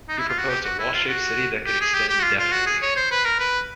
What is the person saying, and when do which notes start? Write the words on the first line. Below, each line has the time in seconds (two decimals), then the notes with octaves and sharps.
He proposed a wall-shaped city that could extend indefinitely.
0.09 D#4
0.18 E4
0.29 F4
0.39 F#4
0.49 G4
0.65 F#4
0.79 E4
0.93 F4
1.08 F#4
1.66 G4
1.81 G#4
1.94 G4
2.09 G4
2.19 F#4
2.23 F4
2.39 F4
2.52 F#4
2.67 G#4
2.82 C#5
2.96 C5
3.11 B4
3.25 A#4
3.40 B4